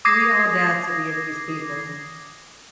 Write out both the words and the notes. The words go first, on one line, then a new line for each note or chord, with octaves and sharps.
The audacity of these people.
D6 D#6 G#6 A#6 C7